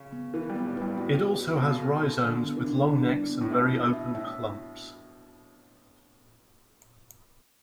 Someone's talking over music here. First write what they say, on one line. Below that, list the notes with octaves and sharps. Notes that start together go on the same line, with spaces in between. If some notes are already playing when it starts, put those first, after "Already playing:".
It also has rhizomes with long necks and very open clumps.
Already playing: C#3
B3
E3 B4
G3
B3
A2
G2 B4
A2 F#4
F#4
F#4
B2
C#3 B3
A4
A4
D3 D4
B3
E3
D4
D3 D4
G3
B3
A2
B2 E5
E4
E5
A2 E5